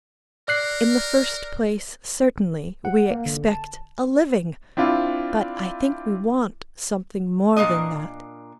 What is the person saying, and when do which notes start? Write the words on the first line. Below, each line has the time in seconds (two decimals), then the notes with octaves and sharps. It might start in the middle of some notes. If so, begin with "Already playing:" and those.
In the first place, certainly, we expect a living, but I think we want something more than that.
0.48 A#4 D5 F#6 C7
2.85 F#5
3.11 A#3
3.26 D3
3.48 A5
4.77 C4 D4 E4 F4
7.56 A#2 A#3 D4 D#5